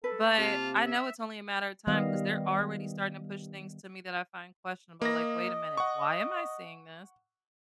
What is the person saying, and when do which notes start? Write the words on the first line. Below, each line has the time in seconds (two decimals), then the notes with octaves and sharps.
but I know it's only a matter of time 'cause they're already starting to push things to me that I find questionable. Like, "Wait a minute. Why am I seeing this?
0.04 A4 B4
0.23 A#3 A5
0.38 C3 F4
0.86 E5
1.87 D#3 G3 B3 G4 D#5 F5
5.02 A#3 D#5 A#6
5.77 F#5 C#6